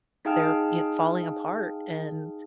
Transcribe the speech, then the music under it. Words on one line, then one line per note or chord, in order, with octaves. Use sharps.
they're y falling apart, and
D#4 G#4 F5 G5 A5 F6